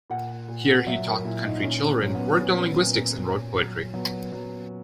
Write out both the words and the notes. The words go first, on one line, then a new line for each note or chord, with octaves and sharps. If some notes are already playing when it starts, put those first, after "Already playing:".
Here he taught country children, worked on linguistics and wrote poetry.
A#2 F#5
A#2
F#3 E5
A#4
A#2 E4
D#4
A#2 C#4
C#4
F#3
B3
A#2 C#4
A#2
A#2
F#3
F#3 B3
F#3